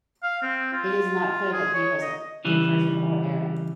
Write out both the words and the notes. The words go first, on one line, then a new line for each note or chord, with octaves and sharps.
It is not clear that he was a Persian or Arab.
F5
C4
F4
G#4
C#5
D#5
C#3 E3 G3